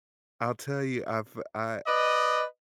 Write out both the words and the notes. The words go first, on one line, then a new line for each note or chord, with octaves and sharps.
I'll tell you, I've I
B4 D5 D#5